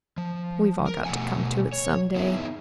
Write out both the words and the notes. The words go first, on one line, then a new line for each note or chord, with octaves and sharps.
We've all got to come to it some day.
F3
A#4
B2 A3 G4 B4 F#5 G#5
C#5
B3 D#4 E4 G#4